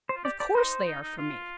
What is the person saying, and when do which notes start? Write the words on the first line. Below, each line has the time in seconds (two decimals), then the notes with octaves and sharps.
Of course they are for me.'
0.09 C5
0.15 F4
0.24 G4 D5
0.39 G4 D5
0.55 D#4 C5
0.86 D#4
1.02 D#4
1.18 F4